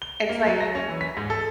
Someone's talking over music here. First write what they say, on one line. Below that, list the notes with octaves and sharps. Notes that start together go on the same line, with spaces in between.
it's like,
G7
A#3
F#3
A#6
C#4
E3
B6
G#2
A4